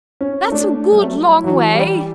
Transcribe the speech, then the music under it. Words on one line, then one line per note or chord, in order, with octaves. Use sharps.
'That's a good long way.
C#4
A3 D4
G3
F#3 A3
E3 F#3
G3